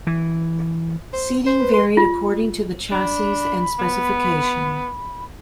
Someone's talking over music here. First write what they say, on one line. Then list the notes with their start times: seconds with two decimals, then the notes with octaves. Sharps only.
Seating varied according to the chassis and specification.
0.07 E3
1.13 C5
1.46 C5
1.60 B4
1.74 C6
1.97 F4
2.91 D4 B5
3.79 B3